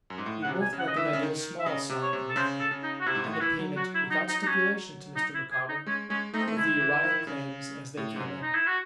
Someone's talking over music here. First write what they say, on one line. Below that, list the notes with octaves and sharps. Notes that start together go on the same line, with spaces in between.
We both recommended a small sum in money, and the payment, without stipulation to Mr. Micawber, of the Uriah claims as they came in.
F#2
G#2
A2
C#3 F#5
C3
G#5
C#3
F#5
D#5
E3 E5
D#3
C#3
D#3
E5
C#3 D#5
C3
C#5
C3
A4
C#3 C5
A4
C#3
D#4
F#4
C3 E4
G#2
A2
F#4
E3 E4
F#3
F#3 F#4
E4
D#4
D#4
D#4
C#4
D#4
E4
G#4
D#4
G#3 C#4
G#3 C#4
A3 D#4
C4
A3
G#3 E4
E3
D#3
C#3
A2
G#2
F#2
D#4
E4
F#4